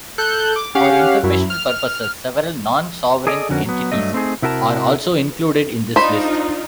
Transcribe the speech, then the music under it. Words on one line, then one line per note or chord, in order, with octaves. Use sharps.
For informational purposes, several non-sovereign entities are also included in this list.
A4 F#6 G6
D6
C#4 G4 F5 F#5
F#2 F#3 E4
F6
G#4 A4 D5 D#5
F2 D3 C#4 F#4 A#4
F#3 B3
G2 F#3 A3 D#5
A3 C4 D#4 G#4
C3 E4 F#4 A#4 G#5 A5
D4 D#4 F4 C5 B5